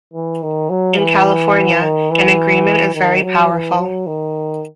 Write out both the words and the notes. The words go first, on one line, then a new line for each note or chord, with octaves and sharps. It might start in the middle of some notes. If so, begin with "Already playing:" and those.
In California, an agreement is very powerful.
E3
D#3
F#3
E3
D#3
E3
D#3
F#3
E3
F#3
D#3